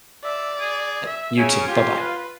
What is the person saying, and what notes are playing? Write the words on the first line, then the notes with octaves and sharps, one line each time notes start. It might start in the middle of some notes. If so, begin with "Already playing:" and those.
Eh you too, bye-bye.
D5 E5
G#4
E5
C#3 C#4 G#5
F4 G4
B4